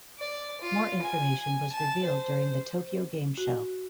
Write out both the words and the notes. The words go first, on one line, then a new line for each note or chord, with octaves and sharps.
More information was revealed during the Tokyo Game Show.
D5
F4
G#5
A5
C5
F#4